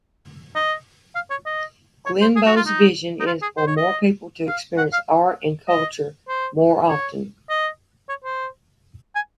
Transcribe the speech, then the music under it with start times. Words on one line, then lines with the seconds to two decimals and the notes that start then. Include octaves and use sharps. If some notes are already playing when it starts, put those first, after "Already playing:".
Glenbow's vision is for more people to experience art and culture more often.
0.55 D#5
1.15 F5
1.30 C#5
1.46 D#5
2.06 C#5
2.21 C5
2.36 G#4
2.46 F#4
2.56 F4
2.66 D#4
3.20 D#4
3.26 F4
3.42 G#4
3.57 C5
3.67 C#5
3.77 D#5
4.47 F5
4.78 F#5
4.93 F5
5.68 D#5
6.28 C5
6.89 C#5
7.49 D#5
8.09 C#5
8.24 C5
9.15 G#5